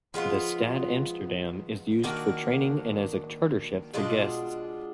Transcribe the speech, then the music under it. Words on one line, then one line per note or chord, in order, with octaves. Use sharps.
The "Stad Amsterdam" is used for training and as a charter-ship for guests.
F3 G#3 B3 F4
D#3 A#3 D4 F#4
B2 G#3 D4 F4